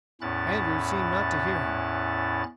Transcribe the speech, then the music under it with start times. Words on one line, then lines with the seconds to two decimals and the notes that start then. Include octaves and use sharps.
Andrews seemed not to hear him.
0.21 E2 A2 C#4 E4 F#6 A6